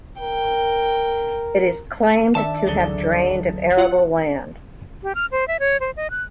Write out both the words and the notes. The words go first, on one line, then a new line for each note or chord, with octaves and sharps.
It is claimed to have drained of arable land.
A#4 G5
D#3 D4 E5 A5
D2 F#3 G#4 A4
F4 F#5
G4
F6
C5
E5
C#5
C5
D#5
F#6